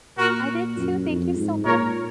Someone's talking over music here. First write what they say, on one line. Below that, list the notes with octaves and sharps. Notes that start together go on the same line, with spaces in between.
I did too. Thank you so mu
A#2 F#4 A#4
F#2
F2
G#2
A#2 A#4 C#5